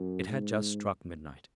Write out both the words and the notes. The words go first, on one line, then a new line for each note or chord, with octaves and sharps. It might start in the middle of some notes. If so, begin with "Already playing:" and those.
It had just struck midnight.
Already playing: F#2
G#2